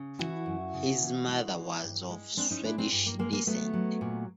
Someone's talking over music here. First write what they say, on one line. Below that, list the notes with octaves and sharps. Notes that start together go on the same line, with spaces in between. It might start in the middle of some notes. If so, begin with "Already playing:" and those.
His mother was of Swedish descent.
Already playing: C#3
E3 E4 F#4
F#2
C#3
E3
G#3
E3
G2
G#3
G#3 C4 D4
C#4 D#4
G#3 D4 E4
C4 D4
G2
A#3
G#3 A#3
A#3
F#3 A3 B3
F#3
A#2